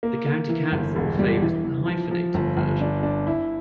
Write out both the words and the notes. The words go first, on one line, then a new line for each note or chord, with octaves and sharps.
The County Council favours the hyphenated version.
A#3
A#3
E3
G1
E1
G3
E3
E3
F3
F3
G1
G1
D4
D4
E4